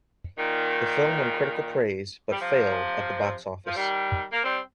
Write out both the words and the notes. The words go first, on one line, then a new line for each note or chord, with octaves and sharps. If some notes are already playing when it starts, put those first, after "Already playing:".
The film won critical praise but failed at the box office.
A#2 D#3
G3
C3 F3
F3
D#3 G3
A#3
G3 C4